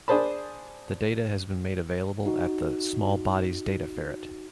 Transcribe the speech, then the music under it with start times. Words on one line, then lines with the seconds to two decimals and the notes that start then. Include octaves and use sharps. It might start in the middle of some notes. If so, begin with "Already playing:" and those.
The data has been made available at the "Small Bodies Data Ferret".
0.08 D4 G#4 C5 A5 B5
2.26 D#4 F#4